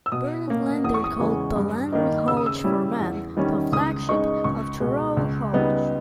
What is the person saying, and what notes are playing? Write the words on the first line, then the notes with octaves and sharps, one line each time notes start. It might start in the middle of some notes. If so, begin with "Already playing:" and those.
Bernard Lander called the Lander College for Men the "flagship" of Touro College.
E6
B2 D#6
A#3 C#4
E2 D#6
C#6
D#6
C#3 E3 G#3
G2
D#3 A#3 D#4
C#3 E6
D#6
E6
G3 C#4 E4
E2
D#3 G3 C#4
C#2 D#6
C#3 G#3 D#4 C#6
C#2 C#6
B2 G#3
C#2
C#3 G3 B3 D#4